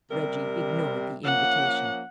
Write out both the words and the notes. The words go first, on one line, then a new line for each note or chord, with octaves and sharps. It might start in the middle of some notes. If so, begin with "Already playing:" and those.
Reggie ignored the invitation.
C3 G3 A#4
F3 A#3 C#4 F#5